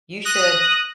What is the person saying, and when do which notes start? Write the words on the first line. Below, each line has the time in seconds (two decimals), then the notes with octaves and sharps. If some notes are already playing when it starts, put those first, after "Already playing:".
You should
0.25 D#6 F#6 A#6